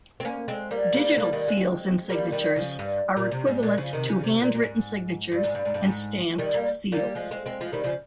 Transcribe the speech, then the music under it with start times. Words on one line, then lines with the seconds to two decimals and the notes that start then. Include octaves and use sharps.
Digital seals and signatures are equivalent to handwritten signatures and stamped seals.
0.20 C4
0.25 A#3 C#4
0.48 G#3 C4
0.71 G3 A#3
0.94 G3 A#3
1.17 G3 A#3
1.32 D#3 G3
1.48 G#3 C4
2.10 G3 A#3
2.32 D#3 G3
2.56 C#3 F3
2.79 G2
3.17 A#2
3.32 C3
3.47 G#2
3.63 A#2
3.78 C#3 F3
3.93 C3 D#3
4.09 C#3
4.24 C3
4.40 A#2
4.54 A#2
4.62 G#2
5.32 G2
5.44 G#2
5.55 G2
5.65 G#2
5.74 G2
5.83 G#2
6.38 D#3 G3
6.54 G3 A#3
6.92 G3 A#3
7.15 F3 G#3
7.31 G#3 C4
7.46 G#3 C4
7.61 F3 G#3
7.73 D#3 G3
7.84 C#3 F3